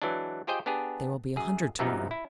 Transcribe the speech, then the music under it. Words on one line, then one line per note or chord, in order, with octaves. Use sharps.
"There will be a hundred to-morrow."
E3 F#3 G#3 D4
F4 G4 G#4 C5 D#5 G5
B3 D4 G4 G#4
F#2 G#4
F#2 C3 E3 F3 B3 D#4
E4